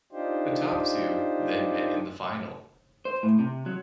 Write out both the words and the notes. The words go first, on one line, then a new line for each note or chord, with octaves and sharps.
The top two then met in the final.
D4 D#4 F4 G4 C5
C5
A2
C3
F#3